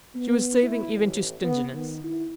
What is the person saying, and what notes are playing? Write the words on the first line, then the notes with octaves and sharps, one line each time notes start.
She was saving even to stinginess.
B3
E4
A1
B3
D#3
E4